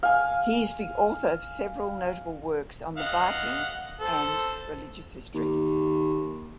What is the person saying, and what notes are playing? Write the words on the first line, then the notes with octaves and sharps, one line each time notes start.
He is the author of several notable works on the Vikings and religious history.
F5 G#5
D#5 F5 F#5
A4 C5
D#2